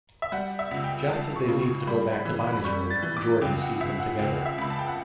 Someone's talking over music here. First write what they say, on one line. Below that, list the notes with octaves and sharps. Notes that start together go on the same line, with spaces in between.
Just as they leave to go back to Bonnie's room, Jordan sees them together.
E5
G3 F#5
E5
C#2
G5
C#2 A5
C#6
C#3
C#6
G3 B5
B5
E3
B5
B5
G3 C#6
A6
E3
D6
C#2 G5
F#5
C#2 E5
F#5
C#2 G5
E5
C#2 B5
A5
G5
F#5